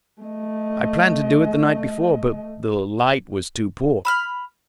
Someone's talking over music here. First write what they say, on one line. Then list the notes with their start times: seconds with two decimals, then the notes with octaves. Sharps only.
I planned to do it the night before, but the light was too poor.
0.22 A3 D#5
4.05 B5 E6 F6